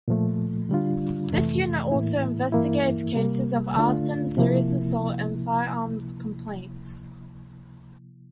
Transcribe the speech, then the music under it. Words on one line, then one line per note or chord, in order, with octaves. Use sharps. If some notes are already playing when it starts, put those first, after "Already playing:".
This unit also investigates cases of arson, serious assault, and firearms complaints.
A#2 F3 A3
D3 G3 D4 F4
F2 C3 E3 A3
A2 E3 A#3 E4
G2 E3 A#3 E4
C3 G3 A#3
D3 A3 D4 F4
C3 F3 A#3 E4